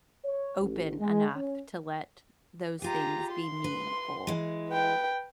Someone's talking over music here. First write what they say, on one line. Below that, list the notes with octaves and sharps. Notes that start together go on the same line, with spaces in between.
open enough to let those things be meaningful,
C#5
A1
G#3
C#4
F4 G4 G#4 A#5
C6
B4
E3 G#3
B4 G5